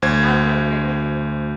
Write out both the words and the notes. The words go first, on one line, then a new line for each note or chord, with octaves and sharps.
I hope you have a great day.
D2 C5 G#6